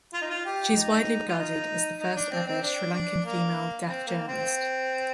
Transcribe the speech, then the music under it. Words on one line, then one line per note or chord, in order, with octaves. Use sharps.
She is widely regarded as the first ever Sri Lankan female deaf journalist.
F4
D#4
F4
G4
D#4
F4
D#4
D#4
D4
C4
C4
D4
D4
A#3
C4
A#3
C4